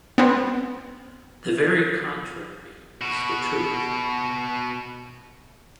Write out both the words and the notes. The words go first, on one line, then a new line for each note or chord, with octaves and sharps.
The very contrary is the truth.
B3 C4
B2 F#4